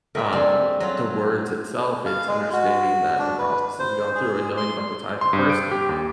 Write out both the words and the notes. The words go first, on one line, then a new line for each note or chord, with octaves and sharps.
um, the words itself, it's understanding that the process has gone through and knowing about the type of person.
G#3 A3 A#4 B4 G5
G3 C4 D4 G#4
F#3 F4
F5
G#3
F#4
D4
B4
C5
G#4
C6
C6
G2
D7
G4
D#2